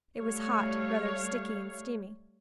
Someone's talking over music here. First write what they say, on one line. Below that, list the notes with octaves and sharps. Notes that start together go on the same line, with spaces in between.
It was hot; rather sticky and steamy.
G3 A3 C#5 F5